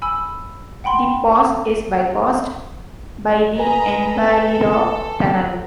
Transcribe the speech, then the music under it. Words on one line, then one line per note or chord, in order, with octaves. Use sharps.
The pass is bypassed by the Envalira Tunnel.
G#5 B5 E6
F#5 G5 B5 C6
B4 D#5 G#5 A#5 B5
A4